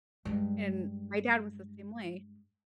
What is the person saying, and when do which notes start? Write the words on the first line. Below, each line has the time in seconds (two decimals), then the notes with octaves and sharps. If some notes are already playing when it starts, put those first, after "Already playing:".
And my dad was the same way.
0.25 G2 G#3